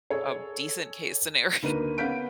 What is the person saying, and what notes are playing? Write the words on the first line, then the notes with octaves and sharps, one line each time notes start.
a decent case scenario
G#4 A4 C#5
D2 A#3 D#4 B4 D#7
B3 C#4 F5 G6 B6 D7